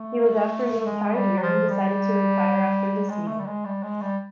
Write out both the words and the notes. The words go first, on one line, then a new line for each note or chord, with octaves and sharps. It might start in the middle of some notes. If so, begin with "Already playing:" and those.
He was out for the entire year and decided to retire after the season.
Already playing: A3
A3
G#3
G3
F#3
F3
G3
G#3
A3
G3
G#3
G3
G#3
G3